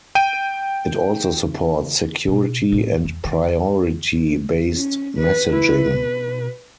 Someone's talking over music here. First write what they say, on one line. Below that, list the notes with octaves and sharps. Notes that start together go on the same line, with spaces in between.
It also supports security and priority based messaging.
G5 D7 D#7
B2
A2
E2
D#3
C#4
B4
E4 B4
B2